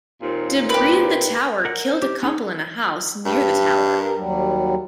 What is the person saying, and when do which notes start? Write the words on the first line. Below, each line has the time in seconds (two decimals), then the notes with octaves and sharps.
Debris of the tower killed a couple in a house near the tower.
0.22 D#2 A#2 C4
0.70 G4 B4
1.65 A#4 F#5
1.84 C5
2.02 G4
2.23 C#4 D#4 G#4 C#5
3.26 G2
3.96 A#4
4.17 D#2 F#3 G3